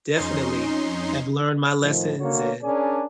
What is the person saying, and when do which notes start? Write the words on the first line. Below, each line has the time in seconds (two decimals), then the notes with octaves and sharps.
definitely have learned my lessons and
0.16 F2 C#4 D#4 C6
1.81 A2 D#3 F3
2.19 D3 A#3 F#4 C#5
2.63 C#4 D4 G#4 A#4 D5 G#5